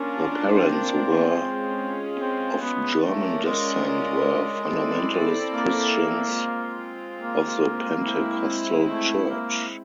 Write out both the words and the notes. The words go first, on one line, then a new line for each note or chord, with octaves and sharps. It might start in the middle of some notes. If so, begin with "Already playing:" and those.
Her parents, who were of German descent, were "fundamentalist Christians" of the Pentecostal Church.
Already playing: A#3 C#4 D4 F4 A#4
C4
G#3 C#4 F4 G#4
C4
B3
A3 C#4 F4 A#4 D5
G#3
G#3
C4 E4 A4 D5
A#3
G#3 C4 F4
A#3
G#3 C4 E4
A3
A#3